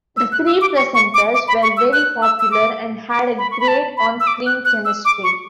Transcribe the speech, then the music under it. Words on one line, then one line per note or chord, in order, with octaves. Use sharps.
The three presenters were very popular and had a great on screen chemistry.
E6
F#6
E6
D6
C#6
C#6
D6
D6
B5
C#6
E6
F#6
E6
E6
D6
D6
B5
C#6
B5
A5
B5
E6
D6
F#6
F#6
E6
D6
C#6